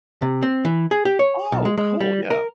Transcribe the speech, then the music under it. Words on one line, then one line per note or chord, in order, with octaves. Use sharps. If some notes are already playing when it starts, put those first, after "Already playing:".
Oh, cool, yeah.
C3
C4
E3
G#4
G4
C#5
B1
G#3
G#3
G3
A#4